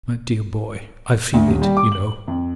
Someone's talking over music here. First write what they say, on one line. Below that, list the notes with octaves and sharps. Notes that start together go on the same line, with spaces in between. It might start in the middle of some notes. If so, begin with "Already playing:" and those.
My dear boy, I feel it, you know.
D2
D#1
G3
D6
F#7
F2